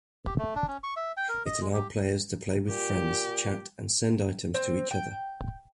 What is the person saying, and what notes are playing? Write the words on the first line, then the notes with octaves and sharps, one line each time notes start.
It allowed players to play with friends, chat and send items to each other.
G4
A3
D4
C#4
C#6
E5
G5
A#4
D#5
G#3
G4
A#2 G4
C4
G5